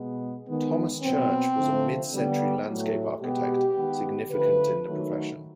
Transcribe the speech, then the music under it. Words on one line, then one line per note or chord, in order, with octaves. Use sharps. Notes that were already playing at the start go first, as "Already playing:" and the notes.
Thomas Church was a mid-century landscape architect significant in the profession.
Already playing: B2 G#3 B3
D#3 G#3 B3
B2 F#3 B3 C4
D3 F3 A3
D3 G3 B3
A2 F#3 A3
B2 G#3 B3 G4
D#3 G#3 B3
D3 F3 A3 B4
D#3 F#3 A3